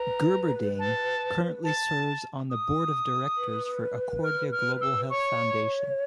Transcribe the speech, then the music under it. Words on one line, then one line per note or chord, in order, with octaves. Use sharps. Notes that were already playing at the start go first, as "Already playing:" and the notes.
Gerberding currently serves on the Board of Directors for Accordia Global Health Foundation.
Already playing: B4 A#5
A5
A5
D#6
B4
F6
F6
E6
C#5 C#6